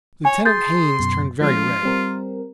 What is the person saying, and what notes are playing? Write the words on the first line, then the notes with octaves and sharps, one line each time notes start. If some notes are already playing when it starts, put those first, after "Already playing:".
Lieutenant Haines turned very red.
C#5 G#5
G#4 C6 D#6 G6 A6
F#2 B2
F3 G#3 C#4 F4
G3 C4 A#4